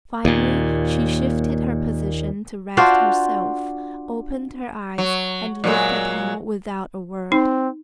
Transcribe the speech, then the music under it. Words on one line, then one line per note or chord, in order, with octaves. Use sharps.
Finally she shifted her position to rest herself, opened her eyes, and looked at him without a word.
D#2 A#2
D4 F4 F#4 C5
F#3
A#2 F#3 G#3
C4 D#4